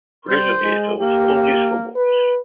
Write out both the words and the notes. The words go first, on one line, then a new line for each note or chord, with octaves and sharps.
Originally it was only for boys.
G3 C5
G#3
A#3 G4
B4